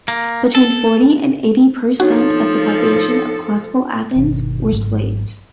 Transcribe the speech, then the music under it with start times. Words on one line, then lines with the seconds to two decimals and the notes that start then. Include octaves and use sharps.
Between forty and eighty per cent of the population of Classical Athens were slaves.
0.08 A#3
0.55 A4
2.00 F3 D4 D#4 F#4 A4 C#5
4.16 G1 B2 D#3
4.71 G#1 E2 G#2 F#3